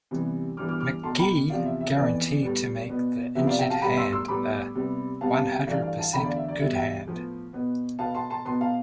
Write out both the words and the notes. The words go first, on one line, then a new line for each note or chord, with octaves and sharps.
McGee guaranteed to make the injured hand a "one hundred percent good hand".
C3 E3 G3 B3
G2 E3 G3 B3 D6 F6
D6 F6
D6 F6
B2 A3 A5 C6
G5 B5
E2 C3 F3 D5 F5
E5
E5
F2 E3 B3 D5
A2 G3 B3
B2 B3
C3 F3 B3 E5
D5 F5
E5 G5
F5 A5
A2 G3 B3 G5 B5
C6 E6
C6 E6
A2 G3 B3 B5 D6
C3 G3 B3
C3 G3 B3 F5 A5
F5 A5
E5 G5
G2 E3 A3 D5 F5
D5 F5
F5 A5
E2 D3 A3 G5 B5
D5 F5
E5
D5
E2 B2 G3 E5
E5 G5
A2 F3 B3
B2 B3
B2 B3 F5 A5
A5 C6
A5 C6
B2 B3 A5 C6
F5 A5